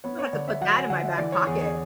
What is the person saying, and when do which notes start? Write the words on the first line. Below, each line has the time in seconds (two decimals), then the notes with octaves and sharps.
I'm gonna have to put that in my back pocket.
0.04 B3 C#5
0.19 C#5
0.33 D3 D5
0.48 E5
0.61 F#3 F#5
0.76 G#5
0.90 D3 F#5
1.04 E5
1.18 E3 D5
1.32 C#5
1.47 E2 G#4
1.61 G#4